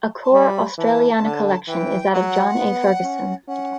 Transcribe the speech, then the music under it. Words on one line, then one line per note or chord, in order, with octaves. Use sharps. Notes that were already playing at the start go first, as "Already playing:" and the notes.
A core Australiana collection is that of John A. Ferguson.
A5
G3 B5
E3 A5
D3
E3 G5
F#3 F#5
B3
C#4
C#4 F#5